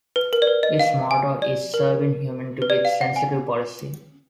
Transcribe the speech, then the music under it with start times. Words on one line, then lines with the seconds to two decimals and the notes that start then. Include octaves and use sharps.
Its motto is Serving Humanity with Sensitive Policing.
0.16 B4
0.33 A#4
0.42 D5
0.47 B4
0.63 D#5
0.79 F5
1.11 G#5
1.42 D5
1.74 A#4
2.62 B4
2.70 D5
2.85 F5
3.01 F#5
3.16 G#5